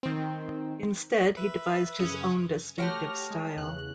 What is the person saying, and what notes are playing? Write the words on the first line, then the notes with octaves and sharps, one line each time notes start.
Instead he devised his own distinctive style.
D#3 C4
B4 E5
F#2 C#3 C#4 D#6
A3 F#4 G4 C#5 F6 A#6
G#3
E2 C#3 F#6